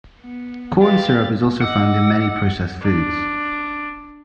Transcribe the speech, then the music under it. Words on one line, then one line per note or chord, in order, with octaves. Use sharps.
Corn syrup is also found in many processed foods.
B3
G4 B4 F5 A6
D#5 F#5 D6 E6
D4